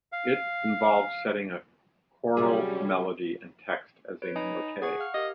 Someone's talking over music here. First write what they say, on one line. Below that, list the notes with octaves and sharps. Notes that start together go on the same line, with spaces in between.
It involved setting a chorale melody and text as a motet.
F5
C3 F#3 G3 C#4 F4 G#4
B4 C#5 D7
D#4 G#5 B5
G#4 F#5 C#6
F5 F6
G4 A#4 D#5